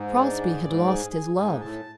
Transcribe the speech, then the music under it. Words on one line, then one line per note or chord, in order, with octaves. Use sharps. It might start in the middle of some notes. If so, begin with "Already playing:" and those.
Crosbie had lost his love!
Already playing: G#2 G#4
D4
G#4
G#2 D5
G#4
G#4
G#2 G#4
A2 A5